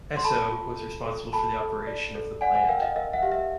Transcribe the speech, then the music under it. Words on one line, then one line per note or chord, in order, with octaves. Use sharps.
Esso was responsible for the operation of the plant.
C6
A4 A5 B5
F4
A4
A4
A4 A5 B5
A4
D5
A4
D5 F#5 G#5
F#5 G#5
A#4 F5 G5
D#5 F5
A#4 D#5 F5
E5 F#5
G4 F5
E5